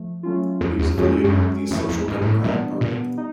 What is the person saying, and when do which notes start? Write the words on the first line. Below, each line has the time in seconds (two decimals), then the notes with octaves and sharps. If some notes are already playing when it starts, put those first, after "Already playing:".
He was affiliated with the Social Democratic Party.
Already playing: F3 A3
0.23 F#3 A3 C#4 F4
0.61 F2
0.79 E2
0.97 F2 G#3 C#4 F#4 A4
1.24 G2
1.34 F#2
1.71 F2 E3 A3 C4 E4
1.89 F2
2.08 G#2
2.21 G#2
2.26 A2
2.44 A#2 E3 G3 B3 D4
2.81 A#2
3.17 D#4